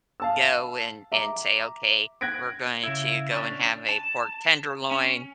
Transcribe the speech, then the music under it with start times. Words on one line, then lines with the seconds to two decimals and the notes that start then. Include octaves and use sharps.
go and and say, "Okay, we're going to go and have a pork tenderloin,"
0.20 F5 A5 E6
1.12 E5 A#5 D6
2.21 F#6 G#6 A#6 B6 D7
2.83 C#3 E4
3.32 C#4 D4
3.89 A5
4.91 C#4